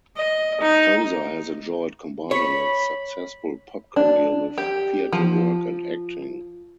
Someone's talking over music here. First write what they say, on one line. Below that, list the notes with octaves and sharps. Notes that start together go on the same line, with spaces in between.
Tozer has enjoyed combining a successful pop career with theatre work and acting.
D#5
D#4
C#5 B5
D4
G4
F3